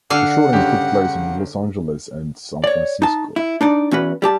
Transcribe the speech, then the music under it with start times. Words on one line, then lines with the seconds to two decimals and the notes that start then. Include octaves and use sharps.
The shooting took place in Los Angeles and San Francisco.
0.10 D3 F5 F#5
0.53 G1 C#3 G4
2.64 C#5 D5
3.02 D#4 A5
3.36 E4
3.61 D4 D#4 D5
3.91 E2 C#4 F#4 B4
4.22 G3 G4 A5